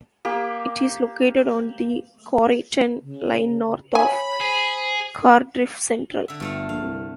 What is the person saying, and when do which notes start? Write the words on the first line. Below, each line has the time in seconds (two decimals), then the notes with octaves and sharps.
It is located on the Coryton Line north of Cardiff Central.
0.25 A#3 G4
3.02 C#3
3.95 C#5 G#5 B5
4.41 G#4 C5
6.28 D3 E5
6.40 G1 G2 A3 F5
6.69 A#1 F5
6.83 C2